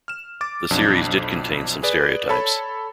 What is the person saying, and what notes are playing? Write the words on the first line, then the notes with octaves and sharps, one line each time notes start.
The series did contain some stereotypes.
F6 E7
D6 A6
B1 F2 D4
G#4 B4 D5
A4 C#5 A5 B5